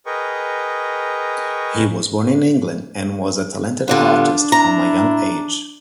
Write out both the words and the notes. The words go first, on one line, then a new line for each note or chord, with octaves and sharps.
He was born in England and was a talented artist from a young age.
G#4 A#4 B4 D#5 G5 C#6
D3 G3 B3 D4 F4
E4 A#5